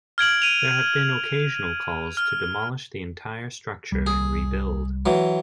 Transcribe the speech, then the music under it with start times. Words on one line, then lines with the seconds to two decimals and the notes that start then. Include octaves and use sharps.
There have been occasional calls to demolish the entire structure and rebuild.
0.18 F6 G#6 D7 F#7
0.42 D#7 F7
2.17 F6
3.92 C2 G3
4.07 G#4
5.06 E3 F#3